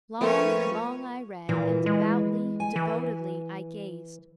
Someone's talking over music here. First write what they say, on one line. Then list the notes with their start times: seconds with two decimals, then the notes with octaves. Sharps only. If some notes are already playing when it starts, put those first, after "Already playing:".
Long--long I read--and devoutly, devotedly I gazed.
0.21 F3 A3 A#3 C4 C#4 B4 C#5
1.49 A#2 E3
1.86 G#3
2.60 G#5
2.76 E3